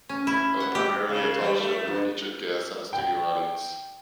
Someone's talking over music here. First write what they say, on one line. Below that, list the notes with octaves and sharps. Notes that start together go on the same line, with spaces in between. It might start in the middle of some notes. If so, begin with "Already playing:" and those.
It was primarily a talk show with featured guests and a studio audience.
C#4
E4
F#5
G4
C#3
G3
A3
G2
G5